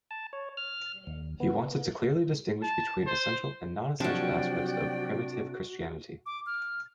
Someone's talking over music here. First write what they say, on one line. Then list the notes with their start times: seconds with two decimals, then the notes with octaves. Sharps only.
He wanted to clearly distinguish between essential and non-essential aspects of primitive Christianity.
0.11 A5
0.33 C#5
0.57 F6
1.07 D#2
1.40 B3
2.62 A5
3.06 C5
4.00 C3 F3 F#3 D4 F#4 D5 G5
6.26 D6
6.46 F6